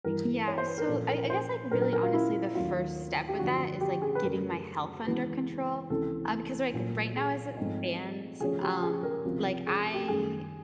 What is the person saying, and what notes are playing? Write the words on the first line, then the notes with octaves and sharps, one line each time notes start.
Yeah. So, I I guess, like, really honestly, the first step with that is, like, getting my health under control, uh, because, like, right now as it stands, um, like, I
G2 E3 G3 A#4
C#5
C5
B4
A#4
A#2 F3 A#3 C#4 A4
A#4
C5
A#2 F#3 B3 D4 A#4
A#4
A#4
F4
E4
D#2 D#3 F#3 A3 F4
G4
F#2 D3 F3 A3 D4 F#4
G4
G#4
B4
F#2 C#3 F#3 A3 A#4
C#3 E3 G#3 B3 B4
C#2 C3 E3 A4
A#2 F#3 A#3
G#4
G#2 F3 A3 C4 D#4
C#3 F3 A3 C#4 G#4
G4
G#4
A#4
C#2 C3 F3
G#4
G4
F#2 D#3 G3 G#4